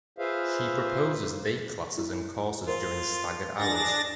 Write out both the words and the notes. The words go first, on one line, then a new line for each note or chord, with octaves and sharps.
She proposes day classes and courses during staggered hours.
F4 G#4 B4 C5 E5 F5
E4
F4 A#4 C5
D4 G#4 A6 A#6